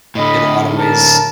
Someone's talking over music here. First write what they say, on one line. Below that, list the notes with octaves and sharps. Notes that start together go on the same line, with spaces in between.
In a lotta ways,
A2 D3 D#5 B5
A#4 A5